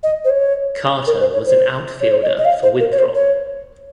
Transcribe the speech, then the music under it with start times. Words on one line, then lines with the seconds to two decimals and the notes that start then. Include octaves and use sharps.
Carter was an outfielder for Winthrop.
0.03 D#5
0.25 C5
0.30 C#5
1.07 A#4
1.20 C5
1.33 C#5
1.46 C5
2.01 C#5
2.11 C5
2.23 D#5
2.28 C#5
2.38 D#5
2.45 F5
2.63 C5
2.80 A#4
2.92 C#5
2.98 C5
3.15 C#5